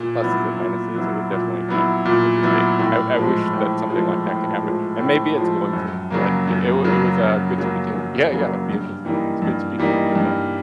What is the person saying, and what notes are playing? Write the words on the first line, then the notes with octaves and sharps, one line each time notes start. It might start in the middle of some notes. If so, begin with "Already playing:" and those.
pluses and minuses, it would definitely be a good thing. I I wish that something like that could happen, and maybe it's going to. But it it wa it was, uh, good speaking Yeah, yeah, it would be interesting. It's good speaking with you about this.
Already playing: A#2
F#3 B3 E4
A#2
F#3 B3 E4
A#2
F#3 B3 E4
A#2
F#3 B3 E4
A2
F3 G#3
A2
F3 G#3
A2
F3 G#3
A2
F3 G#3
F#2
C#3 F#3 A#3
F#2
C#3 F#3 A#3
F#2
C#3 F#3 A#3
F#2
C#3 F#3 A#3
G2
E3 G3 A#3 D#4
G2
E3 G3 A#3 D#4
G2